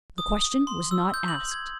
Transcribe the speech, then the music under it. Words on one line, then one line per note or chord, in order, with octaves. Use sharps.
The question was not asked.
D#6
C6
E6
G6
F#7
G#6